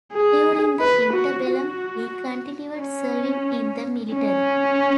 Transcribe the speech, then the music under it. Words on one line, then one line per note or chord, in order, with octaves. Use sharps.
During the interbellum he continued serving in the military.
G#4
B4
F#4
F#4
C#4
C#4